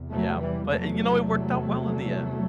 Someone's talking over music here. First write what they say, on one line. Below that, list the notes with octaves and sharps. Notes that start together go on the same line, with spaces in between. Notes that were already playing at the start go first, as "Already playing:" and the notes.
Yeah, but you know, it worked out well in the end.
Already playing: E2 C3
F#3 A3
E3 G3
F#3 A3